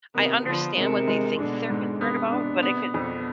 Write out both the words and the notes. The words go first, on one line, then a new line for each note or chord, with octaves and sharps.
I understand what they think that they're concerned about, but it could
C3 D#3 B3
D3 F3 B3
C3 D#3 G#3
G#3
B2 D3 D4
G#2
C3 B3
D4
C3 B3
F2 B2 D3